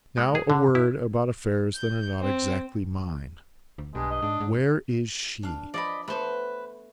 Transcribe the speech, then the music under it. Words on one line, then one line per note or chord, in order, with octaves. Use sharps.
Now a word about affairs that are not exactly mine. Where is she?'
G#3
G#4
D3
E4
G6
C4
D2
B1 G2 G#3
D#5
G#2 D4
G#2
D4 F5
F3 D5 D#5 B5
A3 B3 B4 C5